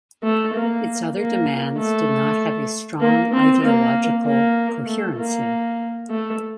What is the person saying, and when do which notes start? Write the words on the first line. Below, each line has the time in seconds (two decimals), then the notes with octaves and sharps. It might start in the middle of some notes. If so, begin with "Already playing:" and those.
Its other demands did not have a strong ideological coherency.
0.23 A3
0.54 A#3
1.16 A#3
1.77 A3
3.01 A#3
3.33 C4
3.63 A#3
4.25 A#3
4.86 A3
5.18 A#3
6.10 A3